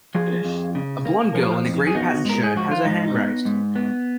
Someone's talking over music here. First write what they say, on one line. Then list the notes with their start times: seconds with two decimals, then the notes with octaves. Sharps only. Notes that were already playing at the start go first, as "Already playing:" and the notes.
A blond girl in a green patterned shirt has her hand raised.
0.15 F3 F4 G#4
0.45 F2
0.75 C#3
1.05 A#3
1.35 F3
1.65 F2
1.87 G#4
1.95 B3 D#4 F#4
2.25 G#2 A#4
2.43 G#4
2.56 F3 F#4
2.71 F4
2.85 G#2 D#4
3.15 B3
3.45 G#2
3.76 B3